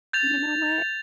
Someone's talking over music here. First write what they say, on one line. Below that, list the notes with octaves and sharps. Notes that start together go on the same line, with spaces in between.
You know what
G6 A6 F7